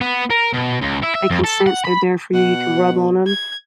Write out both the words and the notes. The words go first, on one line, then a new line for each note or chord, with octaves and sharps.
They can sense they're there for you; you can rub on 'em,
B3
A#4
B2
C#2
E4
E5
F2
A4
F#5
B5
B2 F#5
G#6